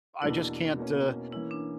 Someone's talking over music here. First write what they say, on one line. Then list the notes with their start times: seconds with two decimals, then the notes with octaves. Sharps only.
I just can't, uh,
0.22 E2 B2 A#3 D4 E4 A#4
0.77 B2 A#3 C#4
1.32 E3 A#3 C#4 E4
1.51 D4